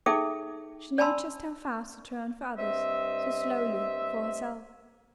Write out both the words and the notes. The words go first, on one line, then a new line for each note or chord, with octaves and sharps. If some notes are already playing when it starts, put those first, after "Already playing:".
She knew just how fast to turn for others; so slowly for herself.
D#4 G#4 A4 E5 G5 D6
D5 G#5 A5 B5 C6 E6
G2 C4 D#5 E5